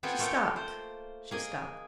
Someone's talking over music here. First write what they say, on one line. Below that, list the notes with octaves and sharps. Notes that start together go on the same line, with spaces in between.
She stopped, she stopped.
B3 C4 F4 A4 G5 G#5
A3 A#3 F4 A4 C#5 G5
C5
A#3 G#4 D#5